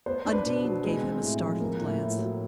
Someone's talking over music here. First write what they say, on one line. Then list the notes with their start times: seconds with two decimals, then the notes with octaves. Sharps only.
Undine gave him a startled glance.
0.06 B3 C5
0.25 D4
0.33 B4
0.46 B2
0.65 F#3
0.84 G#3
1.02 C4
1.22 A2
1.41 F3
1.60 A#3
1.80 A2
1.98 A2
2.18 F#3